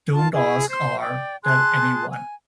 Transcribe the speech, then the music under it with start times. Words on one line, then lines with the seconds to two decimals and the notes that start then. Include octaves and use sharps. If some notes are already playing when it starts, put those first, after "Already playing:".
Don't ask or tell any one.
0.12 F4 A5
0.33 E4 G#4
0.69 C5 C6
1.00 D5 G5
1.44 G#4 A5 C6 F#6
2.09 G#5